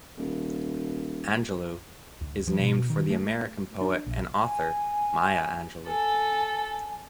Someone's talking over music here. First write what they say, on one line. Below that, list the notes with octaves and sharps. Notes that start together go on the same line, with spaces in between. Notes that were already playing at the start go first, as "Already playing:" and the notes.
Angelou is named for the American poet and author Maya Angelou.
D#1
D2
F3
B2
D#3
A3
D4
A#1
G#5
A4 G#5